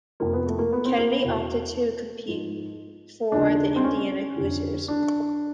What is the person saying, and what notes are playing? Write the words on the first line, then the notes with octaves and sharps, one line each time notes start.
Kennedy opted to compete for the Indiana Hoosiers.
F2 C3 F3 A#3
B3
A3
A#3
B3
C4
A#3
B3
E2 B2
G#2 F3
D#2 C#3 F3 D4
C4
C#4
F2 D3 F3
D4